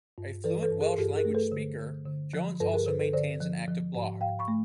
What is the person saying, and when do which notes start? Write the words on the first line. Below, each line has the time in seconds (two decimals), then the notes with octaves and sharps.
A fluent Welsh language speaker, Jones also maintains an active blog.
0.18 G2
0.44 E3 A4 B4
0.62 A4 B4
0.72 G2
0.81 G#4 A#4
0.98 G2 G4 A4
1.16 G#4 A#4
1.25 A3
1.34 A4 B4
1.52 D3
1.79 D3
2.06 D3
2.33 F3
2.60 G2 A4 B4
2.73 G#4 A#4
2.87 D3 A4 B4
3.00 A4 B4
3.13 D3 C5 D5
3.40 F3
3.68 F3
3.95 G#2
4.21 G#2 F5 G5
4.39 B5 C#6
4.48 A3